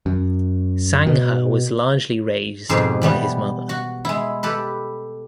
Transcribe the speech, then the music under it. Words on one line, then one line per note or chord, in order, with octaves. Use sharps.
Sangha was largely raised by his mother.
F#2
B2
F2 G#2 B2 G4 G#4 C5
E3 G3 B3
F#4
G#3 E4
G4 A4 B4